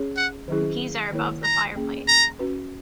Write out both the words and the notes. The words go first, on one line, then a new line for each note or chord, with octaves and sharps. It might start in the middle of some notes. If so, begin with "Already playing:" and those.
The keys are above the fireplace.
Already playing: C#4 G#4 C#5
F#5
D#3 F#3 C#4 E4 G#4
D#3 A#3 E4 A#4 C#5
A#5
A#3 C#4 G#4
A#5
C#4 F#4 B4